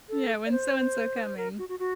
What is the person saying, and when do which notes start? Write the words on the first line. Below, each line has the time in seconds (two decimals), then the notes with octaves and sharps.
Yeah, when's so-and-so coming.
0.09 A4
0.46 D5
0.52 C5
1.37 A#4
1.58 F#4
1.69 F#4
1.79 F#4